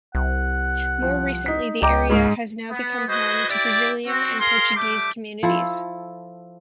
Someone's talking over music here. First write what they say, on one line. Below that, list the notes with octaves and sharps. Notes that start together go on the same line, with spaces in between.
More recently the area has now become home to Brazilian and Portuguese communities.
C2 F#5
F3
D#4 B6
C#2 D#5 G5 A#5 D6
G#2 G#3 C#4
B3
F#4 G#4 B4 C5 D#5
E4 G4 D5
C4 F#4
G#4 A#4 F5 C6
G3 A3 G4 D6
F3 E4 A4